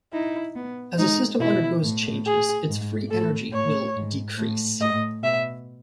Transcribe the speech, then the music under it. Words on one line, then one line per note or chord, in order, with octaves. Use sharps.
As a system undergoes changes, its free energy will decrease.
D#4 E4
B3
G#3 D#4
B2 E4
A2
G#4
G#2
A2 A4
A2 C#5
G#2
A2
A2 D#5
B2 E5